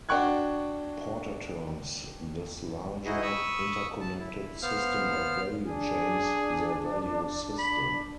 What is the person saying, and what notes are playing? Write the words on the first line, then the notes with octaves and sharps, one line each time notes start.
Porter terms this larger interconnected system of value chains the "value system".
D4 F#4 G5 C#6 F#6 G#6
D#4 E4 F#4 G#4 D#5
B5 C#6 D#6 E6
A5
E4
B3 C5 F5 F6
D4 G#4
B5